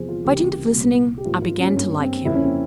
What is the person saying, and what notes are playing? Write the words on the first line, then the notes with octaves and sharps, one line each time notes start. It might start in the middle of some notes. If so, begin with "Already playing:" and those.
By dint of listening, I began to like him.
Already playing: E2 C3 F3 G#4 C5
F4
C#2 C3 E3 G3 A#3 G4
C2 A#2 G3
G4
G#2 F3 A#3 F4
F4
C#4
G2 G3 A#3 C#4
C4
F2 C#3 F3 A#3 E4
C#4
C4